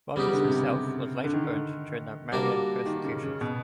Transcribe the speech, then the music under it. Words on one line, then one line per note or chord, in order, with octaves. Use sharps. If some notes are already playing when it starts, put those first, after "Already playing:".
Rogers himself was later burnt during the Marian persecutions.
C#3 G3 B3 D#4 G4
D3
C3
C#3
D3
D#3
D3
G3 A#3 D4 F#4 A#4
D#3
C#3
C#3
B2